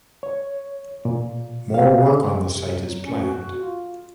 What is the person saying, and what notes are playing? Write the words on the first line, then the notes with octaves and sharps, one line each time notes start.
More work on the site is planned.
C#5
A#2
F5
G4
C3
F#3
C#4
F#4
F4